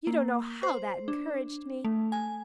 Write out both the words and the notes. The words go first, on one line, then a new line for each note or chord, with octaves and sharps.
You don't know how that encouraged me.
A#3
C5
D4
A3
G#5